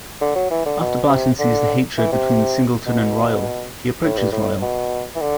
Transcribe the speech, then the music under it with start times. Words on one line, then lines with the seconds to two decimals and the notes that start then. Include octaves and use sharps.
After Barton sees the hatred between Singleton and Royle, he approaches Royle.
0.21 D3
0.35 F#3
0.51 E3
0.66 D3
0.80 B2
1.09 C3
1.39 D3
1.98 E3
2.12 C3
2.86 B2
4.04 A2
4.18 G2
4.32 A2
4.62 B2
5.16 E3
5.21 D3